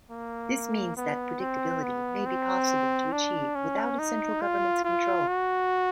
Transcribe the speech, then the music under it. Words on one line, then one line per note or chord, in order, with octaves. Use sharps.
This means that predictability may be possible to achieve without a central government's control.
A#3
B3
C4
B3
C4
D4
C#4
D#4
F4
F4
F#4